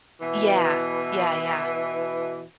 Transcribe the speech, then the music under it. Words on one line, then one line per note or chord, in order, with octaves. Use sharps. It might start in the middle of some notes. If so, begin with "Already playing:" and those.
Yeah. Yeah, yeah.
B2 E3